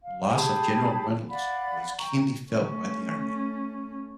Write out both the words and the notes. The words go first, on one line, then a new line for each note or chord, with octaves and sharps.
The loss of General Reynolds was keenly felt by the army.
F5
G4 G#4 A5 B5
D5 F5 F#5 B5
G5 A#5 C#6
A3 C#4